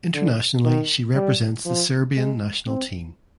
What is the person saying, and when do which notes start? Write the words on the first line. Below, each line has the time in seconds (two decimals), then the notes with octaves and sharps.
Internationally she represents the Serbian national team.
0.14 D3
0.65 D#3
1.15 G3
1.66 F3
2.17 G#3
2.67 C4